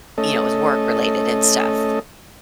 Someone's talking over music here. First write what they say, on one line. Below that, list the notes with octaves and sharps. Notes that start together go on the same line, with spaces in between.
you know, it was work-related and stuff.
A3 C#4 A4 D#5